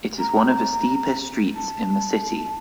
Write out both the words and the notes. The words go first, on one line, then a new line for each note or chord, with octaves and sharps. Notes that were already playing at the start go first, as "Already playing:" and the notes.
It is one of the steepest streets in the city.
A#5
A5